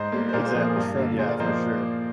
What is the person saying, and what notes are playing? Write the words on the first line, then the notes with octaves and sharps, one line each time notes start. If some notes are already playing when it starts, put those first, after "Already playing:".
exact, tra yeah, for sure.
Already playing: G#2 C5 D#5
G3 A#3
C5
A#2 A#4 D5
G#4 C5
F3 A#3 G#4 C5
A#4
G2
D3 G3 A#3
A#2 G#4 C5
A#4 D5
F3 A#3 C5 D#5